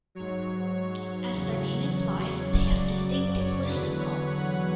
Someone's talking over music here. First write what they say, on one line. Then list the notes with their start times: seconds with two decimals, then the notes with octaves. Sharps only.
As their name implies, they have distinctive whistling calls.
0.15 G#2 F#3 C#5
0.74 C#5
1.33 E2 C#3 F#3
2.51 F#2 C#3 F#3 D5
3.09 D5
3.39 C#5
3.68 E2 D3 F#3 B4
3.98 C#5
4.27 F#5